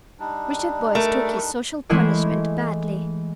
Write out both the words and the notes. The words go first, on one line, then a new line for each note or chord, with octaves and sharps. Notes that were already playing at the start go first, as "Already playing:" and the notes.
Richard Boyce took his social punishment badly.
G3 D4 D#4
A3 A#4
E3 G#3 A3 E4 G#4 D#5